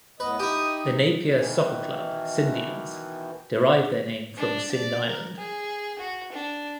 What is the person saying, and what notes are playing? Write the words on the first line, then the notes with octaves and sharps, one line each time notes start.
The Napier soccer club Scindians derived their name from Scinde Island.
A2 B3 B4 D#5
D#4 E4 G4 D#6
F#3
B2 D#3 E3
D4
D5
A#4
G#4
F#4
D4